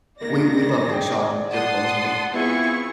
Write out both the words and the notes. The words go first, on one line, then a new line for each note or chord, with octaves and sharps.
We we loved the chocolate chip ones, but
D#3 A#3 D5 A#6
G#4 G5
F#5 A5 C6 D#6
E3 B3 C4 E4 F4 G#4 C#6